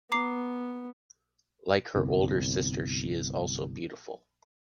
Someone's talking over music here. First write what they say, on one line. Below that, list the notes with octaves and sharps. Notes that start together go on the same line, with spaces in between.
Like her older sister, she is also beautiful.
B3 A#5 D6 C7
G1 C2